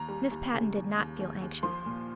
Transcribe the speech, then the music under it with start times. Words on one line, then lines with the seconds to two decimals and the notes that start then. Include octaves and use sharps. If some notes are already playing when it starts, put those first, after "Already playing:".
Miss Patten did not feel anxious.
Already playing: D#2 A#5
0.09 G3
0.31 D#2
0.53 C#3
0.76 D#2
0.98 D#2
1.20 D#2
1.42 D#2
1.63 F3 C6
1.86 A#2